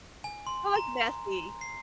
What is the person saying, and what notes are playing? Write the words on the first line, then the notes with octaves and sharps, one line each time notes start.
So, like, messy
G#5
C6
A#5
C7